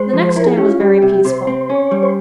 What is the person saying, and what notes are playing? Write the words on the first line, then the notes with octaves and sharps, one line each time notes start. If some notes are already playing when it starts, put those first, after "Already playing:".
The next day was very peaceful.
Already playing: G#3 C5
F3
E4 A#4
G#4
C#4 G4
F4
G3 G4
C3
C3 C5
C4
C#4 C#5
G3
C5